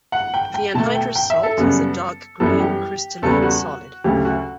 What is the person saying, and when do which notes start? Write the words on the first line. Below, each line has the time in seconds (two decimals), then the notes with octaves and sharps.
The anhydrous salt is a dark green crystalline solid.
0.12 F#5
0.34 G5
0.54 G5
0.74 B2 A3 A5
0.95 G5
1.16 G5
1.30 E5
1.43 A4
1.57 F#2 C#3 G3 B3
2.40 F#2 E3 G3 B3 A4
2.60 G4
3.22 E2 C#3 G3 B3 A4
3.42 F#4
4.04 D2 C#3 F#3 A3 G4
4.25 F#4